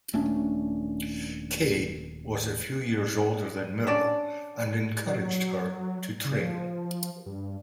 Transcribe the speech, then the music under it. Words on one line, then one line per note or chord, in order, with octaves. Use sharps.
Kaye was a few years older than Mirrow and encouraged her to train.
D#1 A3 C#4 D4
C#4 D4 D5
F#3
C#3
F3
G2